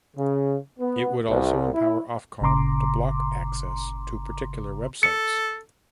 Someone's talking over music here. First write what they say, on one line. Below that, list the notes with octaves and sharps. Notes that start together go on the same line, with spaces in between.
It would also empower Ofcom to block access to particular websites.
C#3
B3
C2
E4
G1 A#2 C#3 A#5 C6 D6
A4 C#7